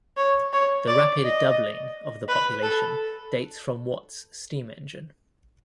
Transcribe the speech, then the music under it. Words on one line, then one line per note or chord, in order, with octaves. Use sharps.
The rapid doubling of the population dates from Watt's steam-engine.
C#5
C#5
D5
D#5
B4
A4